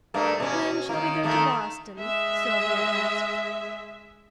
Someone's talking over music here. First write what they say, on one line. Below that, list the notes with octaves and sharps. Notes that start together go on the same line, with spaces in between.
"When shall we go to Boston?" Sylvia asked.
G2 A3 A#3
B2 C#4
D#3 A#3
D#3 A3 A#3
G#3 E5